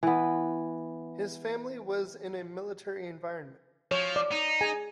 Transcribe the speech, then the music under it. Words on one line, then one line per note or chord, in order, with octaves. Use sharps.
His family was in a military environment.
E3 B3
F3 C#5
D5
D#4
G#4 G#5